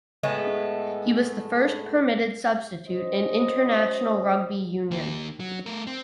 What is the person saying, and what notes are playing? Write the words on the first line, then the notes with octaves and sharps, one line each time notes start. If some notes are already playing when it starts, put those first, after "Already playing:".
He was the first permitted substitute in international rugby union.
A2 G#3 A3 B3
C#4 F#4 C5 D#5
D#3 A#3
F#3
A3 A#4
C4